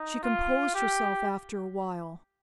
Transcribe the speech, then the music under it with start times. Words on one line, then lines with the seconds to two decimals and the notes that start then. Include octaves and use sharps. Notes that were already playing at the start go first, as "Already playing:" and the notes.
She composed herself after a while.
Already playing: D#4
0.23 F4
0.75 G4